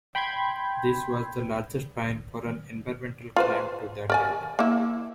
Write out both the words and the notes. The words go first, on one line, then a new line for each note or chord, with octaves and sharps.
This was the largest fine for an environmental crime to that date.
G5 B5 C6 G6 G#6
F4 B4 C5
A#4 D5 G#5
A#3 E4